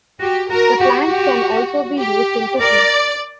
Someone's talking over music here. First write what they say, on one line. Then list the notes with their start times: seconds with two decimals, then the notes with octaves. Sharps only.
The plant can also be used in cooking.
0.20 F#4 G4
0.50 F#4 A#4
0.80 F#4 G4
1.10 G4
2.00 G4
2.61 A#4 D5